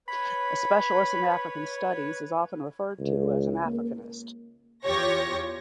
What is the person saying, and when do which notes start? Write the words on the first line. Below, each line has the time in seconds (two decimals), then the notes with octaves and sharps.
A specialist in African studies is often referred to as an "Africanist".
0.08 B4 C#5 B5
3.00 C#2
3.65 A#3
4.85 E2 F4 G4 C#5 C#6 A#6